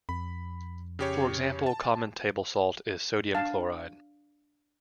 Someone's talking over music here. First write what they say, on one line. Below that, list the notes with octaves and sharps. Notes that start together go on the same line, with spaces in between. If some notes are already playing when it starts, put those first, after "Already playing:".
For example, common table salt is sodium chloride.
F2 B5
C#3 G4 C#5
A5
D4 F5 G#5 A5